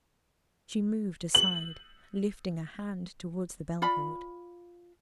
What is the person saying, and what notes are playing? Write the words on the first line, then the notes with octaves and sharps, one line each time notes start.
She moved aside, lifting a hand toward the bell-cord.
F#7
F4 D5 B5